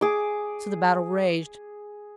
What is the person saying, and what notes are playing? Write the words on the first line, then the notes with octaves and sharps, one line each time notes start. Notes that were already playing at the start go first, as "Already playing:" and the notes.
So the battle raged.
G#4 D6